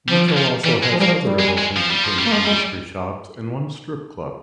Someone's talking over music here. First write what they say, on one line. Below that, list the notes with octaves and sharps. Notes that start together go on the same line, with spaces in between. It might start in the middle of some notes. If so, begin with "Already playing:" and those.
Mitchell also has other adult entertainment industry shops and one strip club.
F3 G3
F3
E3 G3
G#3
F3
G3 A#3
F3
G3
G#3
G#3
F3
G3
F3
G3
A#3
F3 G#3
G3 G#3